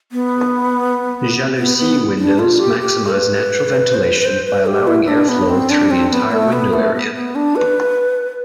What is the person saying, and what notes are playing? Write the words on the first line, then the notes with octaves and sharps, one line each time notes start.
Jalousie windows maximise natural ventilation by allowing airflow through the entire window area.
B3
B3
B3
D4
F4
G4
G4
B4
C5
B4
B4
C5
B4
G4
E4
D4
B3
C4
D4
C4
B3
A3
B3
A3
B3
B3
D4
B4